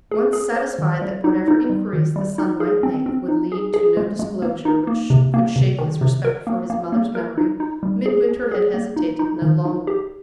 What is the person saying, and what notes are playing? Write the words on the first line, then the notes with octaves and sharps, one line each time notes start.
Once satisfied that whatever inquiries the son might make would lead to no disclosure which could shake his respect for his mother's memory, Midwinter had hesitated no longer.
G#4
G#4
C5
D#3
G3
D#4
D#4
G3
D#3
G3
D#4
G#4
C4
C4
D#4
G#4
G#4
G#3
G#3
A#3
D#4
A#3
C3
A#3
C3
D#3
C3
A#4
A#3
A#3
A#3
A#4
D#4
D#4
G3
G#4
G#4
G#4
A#3
D#4
D#4
D#3
D#4
G4